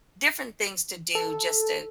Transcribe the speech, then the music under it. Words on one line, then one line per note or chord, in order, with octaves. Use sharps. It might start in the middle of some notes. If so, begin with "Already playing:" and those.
different things to do just to
A4